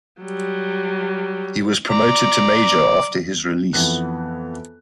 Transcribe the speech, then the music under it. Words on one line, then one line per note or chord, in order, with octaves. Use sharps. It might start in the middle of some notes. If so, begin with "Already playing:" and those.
He was promoted to major after his release.
F#3 G3
D5 A#5
F2 E3 B3 F#6